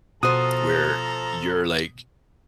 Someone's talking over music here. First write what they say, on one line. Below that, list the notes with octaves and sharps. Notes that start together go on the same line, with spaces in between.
where you're, like,
B2 F3 F#4 A4 C5 A#5 D#6